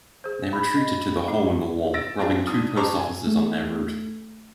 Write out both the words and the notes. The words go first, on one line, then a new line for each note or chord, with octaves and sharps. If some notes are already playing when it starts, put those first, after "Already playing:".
They retreated to the Hole-in-the-Wall, robbing two post offices on their route.
G#4 C5
B5
D#5
G#3 D#4
E6 A6 A#6 D7
C4 D4 F4 G#4
G#2 D4 D#6
G4 C5 A5 A#5 C#6 D6
G#5
A3